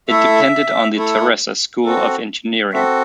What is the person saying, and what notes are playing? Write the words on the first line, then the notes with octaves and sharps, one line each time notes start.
It depended on the Terrassa School of Engineering.
A3 E4 A4 E5
A3 E4 A4
C4 F#4 A4
C4 F#4 A4 E5